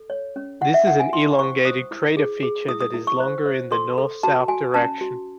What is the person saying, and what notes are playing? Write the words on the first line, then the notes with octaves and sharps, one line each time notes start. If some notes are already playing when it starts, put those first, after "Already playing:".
This is an elongated crater feature that is longer in the north-south direction.
Already playing: A4
C#5
C#4
E4 F#5
E5
E4 F#5
G#5
E4 C6
C5 C#6
C5 D#6
E4
G#4
G#4
E4 D#6
D#6
E4
C#6
C5
C5
A4 C6
A4
F#4 A5
F#4 G#5
C#4 A5
F#4